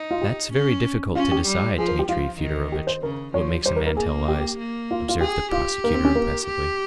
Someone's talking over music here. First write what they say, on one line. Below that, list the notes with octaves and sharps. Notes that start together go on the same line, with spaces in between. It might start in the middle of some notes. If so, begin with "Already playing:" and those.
"That's very difficult to decide, Dmitri Fyodorovitch, what makes a man tell lies," observed the prosecutor impressively.
Already playing: D#4
F4
G4
C#4
C#4 F4
G4
G3
F3 G#4
A#4
G4
F3 F4
D#3
G4
C5
C#3 A#4
F3 C#5
G3 C5
A#4
A#4
A#3 G#4
G4
A#3
F4
F4
G4 G#4
F4 G4
A#3
C4
C#4
A#3
G4